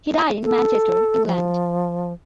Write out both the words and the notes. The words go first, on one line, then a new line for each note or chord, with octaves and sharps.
He died in Manchester, England.
A4
F3